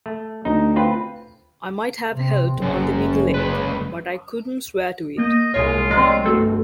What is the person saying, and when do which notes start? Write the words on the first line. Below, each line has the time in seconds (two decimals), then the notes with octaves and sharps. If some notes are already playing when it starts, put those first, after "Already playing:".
I might have helped on the middle eight, but I couldn't swear to it.
0.06 A3
0.45 D2 D#4
0.76 C4 F4 B4
2.13 C3 C4
2.61 F#1 F#2
3.34 C#2 B4
5.18 A#3 D#5 G6
5.54 C2 G#3 F4 C#5
5.91 F#3 G#3 C4 D5 A#5
6.26 G1 A3 F#4 A4